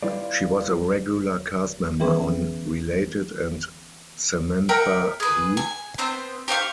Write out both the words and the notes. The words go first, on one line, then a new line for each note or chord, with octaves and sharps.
She was a regular cast member on "Related" and "Samantha Who?".
G3 E4 F4 B4 D5
E3 G3 B3 C#4 G#4 B4
A#4 E5 F#5 G5
G#4 B4
G#5
B3 C4 C5
G4 C5 F5 C#6